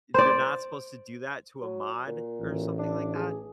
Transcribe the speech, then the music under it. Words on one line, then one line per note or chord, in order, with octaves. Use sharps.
you're not supposed to do that to a mod or something like that.
C5 D5
F#3
A#2
A1
D4
G#4